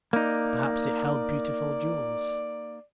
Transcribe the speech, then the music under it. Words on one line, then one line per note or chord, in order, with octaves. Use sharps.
Perhaps it held beautiful jewels.
A#3 D#4 D5